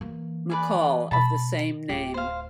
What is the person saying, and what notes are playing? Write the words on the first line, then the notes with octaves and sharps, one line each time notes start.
McCall of the same name.
E3 A#3
B4 D5 G#5
B2 A5 B5
D1 F4 G4
C5 F5